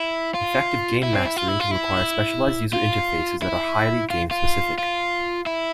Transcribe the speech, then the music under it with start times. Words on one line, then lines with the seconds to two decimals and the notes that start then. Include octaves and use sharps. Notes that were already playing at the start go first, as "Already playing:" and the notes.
Effective gamemastering can require specialized user interfaces that are highly game specific.
Already playing: E4
0.34 F4
1.03 E4
1.14 C4
1.25 E4
1.37 F4
1.48 E4
1.60 F4
1.71 E4
2.73 F4
3.42 E4
4.10 F4
4.31 F4
4.78 F4
5.46 E4